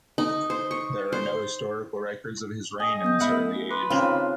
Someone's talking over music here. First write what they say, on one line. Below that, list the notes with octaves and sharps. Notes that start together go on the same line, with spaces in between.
There are no historical records of his reign in this early age.
D#4
C5
C#6
C5
G#4 D#5
B3 G6
A3 E4 F#5
B4 C6 D6
C#3 C4 D#4 F4 C5 A#5